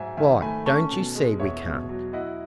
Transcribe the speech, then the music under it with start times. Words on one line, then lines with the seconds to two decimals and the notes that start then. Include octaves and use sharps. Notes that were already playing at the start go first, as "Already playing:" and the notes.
"Why, don't you see we can't?"
Already playing: G#2 F#3 E5 G#5
0.17 D#3 E5 G#5
0.42 A3 G#5 B5
0.66 C#4 A5 C#6
0.91 B2
1.15 G#3
1.40 E2 C#5 E5
1.65 B2
1.89 F#3
2.13 E4 D#5 F#5